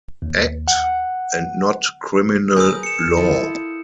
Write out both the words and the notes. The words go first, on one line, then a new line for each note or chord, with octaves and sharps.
Act and not criminal law.
D#2
F#5
G#4 A#4 B4 D#6 G6
C#7 E7
E4 F4 A4